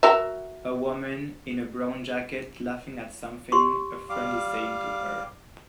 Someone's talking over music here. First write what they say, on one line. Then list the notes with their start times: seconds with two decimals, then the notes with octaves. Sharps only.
A woman in a brown jacket laughing at something a friend is saying to her.
0.03 F#4 A#4 E5
3.52 G4 C6 C#6
4.10 G3 F5 D6